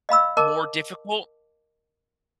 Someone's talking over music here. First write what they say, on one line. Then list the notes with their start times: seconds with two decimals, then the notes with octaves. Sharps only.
more difficult.
0.09 D#5 F5 B5 E6
0.37 A#4 D#5 A5 D6